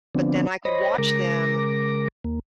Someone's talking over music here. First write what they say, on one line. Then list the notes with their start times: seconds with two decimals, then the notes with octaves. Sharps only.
But then I could watch them
0.15 D3 F3 B3 C4 D4
0.65 C5 C#5 D#5 B5 A#6
0.98 C#3 G#3 A#4 D6 A#6
2.24 D#2 A#3